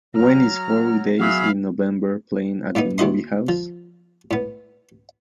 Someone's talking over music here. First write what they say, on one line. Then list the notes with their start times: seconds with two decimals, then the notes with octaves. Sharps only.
When is Four Days in November playing at the movie house?
0.15 F#3 A#5 F6
1.20 F#3 B3 G#4 E5 F5 B5
2.75 A2 A#3 B3 D#4
2.98 D#2 E4 F#4 B4 D#5 C6
3.49 F3
4.31 A2 B3